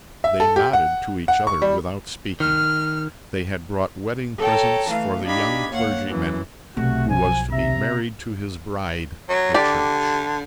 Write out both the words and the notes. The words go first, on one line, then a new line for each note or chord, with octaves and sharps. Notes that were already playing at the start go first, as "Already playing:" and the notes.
They nodded to each other without speaking: they had brought wedding-presents for the young clergyman, who was to be married to his bride--the Church.
E5
A4
G4
F#5
F#5
C#6
G3
D#3 F6
A4 C#5 G5 A5 A#5
E3 A3 F5
D4 D#4 G4 F5 B5 G#6
D#2 A#3 C#5 F5 F#5
F#2 E3
B1 C3 A3 F#4
F3 G#5
C3 E5 A#5
F#3
D3 G4 D5